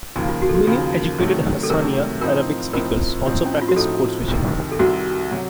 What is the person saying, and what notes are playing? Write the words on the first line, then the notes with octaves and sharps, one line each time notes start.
Many educated Hassaniya Arabic speakers also practice code-switching.
D#2 C#3 F3 A#3 D#4
F4
F#4
A4
F#4
D#2 C#3 F3 A#3
C3 D#3 F#3 A3
A4
C3 D#3 F#3 A3 A#4
A2 F3 C4 D#4 A#4
A2 F3 C4 D#4 A#4
A2 F3 C4 D#4
C#4
D#4
F4
F#4
A2 F3 C4 D#4 A4
C2 C3 D#3
A4
C2 C3 D#3 F#4
C3 F#3